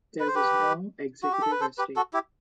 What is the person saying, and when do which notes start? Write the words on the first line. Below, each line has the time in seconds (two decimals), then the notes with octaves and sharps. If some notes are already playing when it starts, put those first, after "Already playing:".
There was no "Executive" estate.
0.20 B4
0.27 C5
0.35 G4 B4
1.23 F#4
1.32 G4
1.42 A4
1.51 B4
1.61 A4 C5
1.78 G4 B4
1.96 F#4 A4
2.13 E4 G4